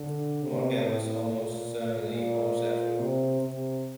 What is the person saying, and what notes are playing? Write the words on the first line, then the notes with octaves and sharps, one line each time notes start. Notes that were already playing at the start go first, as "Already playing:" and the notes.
Morgan was "almost certainly homosexual".
Already playing: D3
C3
A2
A#2
A#2
C3
C3